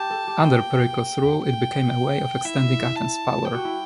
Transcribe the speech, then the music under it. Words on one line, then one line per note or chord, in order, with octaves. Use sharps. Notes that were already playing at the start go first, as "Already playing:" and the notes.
Under Pericles' rule, it became a way of extending Athens' power.
Already playing: G4 A5
A4
G4
G5
G5
E4 E5
A5
G4 G5
F#4
E4